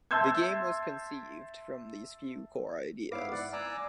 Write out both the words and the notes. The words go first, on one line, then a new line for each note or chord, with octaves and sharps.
The game was conceived from these few core ideas.
E5 A5 C6 E6 G6 G#6
G#2 B3 E4 F5 D6
D5 F#5
D5 G#5 A#5 D6 E6 F#6